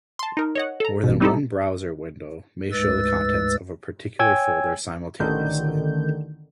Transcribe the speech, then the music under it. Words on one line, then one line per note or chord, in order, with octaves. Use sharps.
More than one browser window may show the contents of a particular folder simultaneously.
A5 C6
D#4 A#4
C#5 D#5 F#5
A4 A#5
A1 B2
G3 C4 D#4 E4 G4 A4
D2 G#2 G#3 B4 E6 A6
C#5 G5 G#5 E6 G#6
A1 D3 D#3 G6